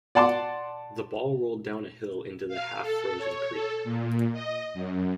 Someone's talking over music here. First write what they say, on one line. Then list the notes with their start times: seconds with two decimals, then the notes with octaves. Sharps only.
The ball rolled down a hill into the half-frozen creek.
0.15 D5 F#5 A5 C6 D6
2.48 F5
2.81 A4
3.18 C#5
3.53 A4
3.84 A#2
4.33 D#5
4.74 F#2